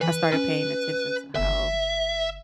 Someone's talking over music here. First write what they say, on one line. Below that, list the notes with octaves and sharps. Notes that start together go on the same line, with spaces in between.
I started paying attention to how
E3 B4
C#4 B4
G1 E5